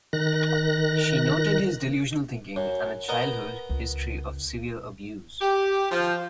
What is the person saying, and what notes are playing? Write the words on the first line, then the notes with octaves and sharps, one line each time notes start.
She noted his delusional thinking and a childhood history of severe abuse.
D#3 F#6 A#6
F#2
B3 A#4 D#5
C#2
G4
F3